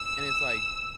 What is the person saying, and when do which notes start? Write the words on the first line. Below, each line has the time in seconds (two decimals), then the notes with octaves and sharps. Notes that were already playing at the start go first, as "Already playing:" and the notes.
And it's like,
Already playing: E6